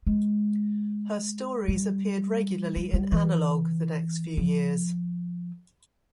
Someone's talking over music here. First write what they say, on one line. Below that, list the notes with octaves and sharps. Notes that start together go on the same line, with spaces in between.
Her stories appeared regularly in "Analog" the next few years.
G#3
G3
G3
G3
E3
F3